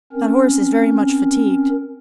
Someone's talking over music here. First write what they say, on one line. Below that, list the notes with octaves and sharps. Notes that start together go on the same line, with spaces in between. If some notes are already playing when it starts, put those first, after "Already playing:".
"That horse is very much fatigued."
C4 C#4 A#4